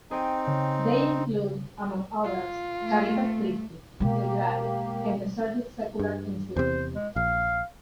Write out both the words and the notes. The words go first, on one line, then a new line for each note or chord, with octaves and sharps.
They include, among others, Caritas Christi, The Grail, and the Servite Secular Institute.
C4 D#4 G#4 G5 D#7
C#3
F4
A3
B2 G#3 A#3 G4
G2
E2 C3 C5
G#3
A#1 F5